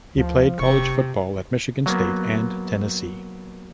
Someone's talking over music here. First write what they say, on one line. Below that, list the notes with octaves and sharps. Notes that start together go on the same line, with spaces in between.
He played college football at Michigan State and Tennessee.
D2 F3
E1 C3 C#6
F#3 A#3 B3